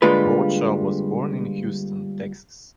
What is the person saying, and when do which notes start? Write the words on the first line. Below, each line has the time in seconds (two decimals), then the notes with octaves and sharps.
Bradshaw was born in Houston, Texas.
0.02 D3 G3 G#3 A#3 F4 B4